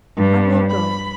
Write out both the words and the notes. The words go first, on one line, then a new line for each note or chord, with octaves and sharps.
'I will go.
G2
B5